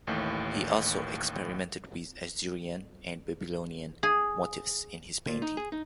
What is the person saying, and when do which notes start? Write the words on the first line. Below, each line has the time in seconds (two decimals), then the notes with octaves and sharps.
He also experimented with Assyrian and Babylonian motifs in his painting.
0.07 A1 D#2 A2
4.03 G#4
5.28 A#2
5.42 D#4
5.57 G#4
5.72 D#4